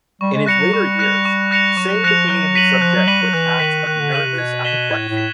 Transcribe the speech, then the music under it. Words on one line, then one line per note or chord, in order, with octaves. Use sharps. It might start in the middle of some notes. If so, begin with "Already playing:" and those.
In his later years Say became subject to attacks of nervous apoplexy.
G3 C#6
G#3
G3 F#6 A#6 C#7 F7
F#3
G3 C#6
F#6 A#6 C#7 F7
C#6
F#6 A#6 C#7 F7
F#3 C#6
F3 F#6 A#6 C#7 F7
F#3 F#6
B6 D#7 F#7
F3 F#6
F#3
G3 B6 D#7 F#7
F#3
E3 F#6
D#3 B6 D#7 F#7
D#3 F#6
D3
C#3 B6 D#7 F#7
C3
B2 G#6
B6 E7 G7
A2 G#6
A2
B6 E7